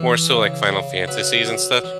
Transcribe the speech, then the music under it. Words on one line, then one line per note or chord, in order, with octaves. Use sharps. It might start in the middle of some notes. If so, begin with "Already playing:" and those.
more, so, like, Final Fantasies and stuff.
Already playing: E3 G#4
C#3
C#3
F#3 B4 B5
F#3
F#3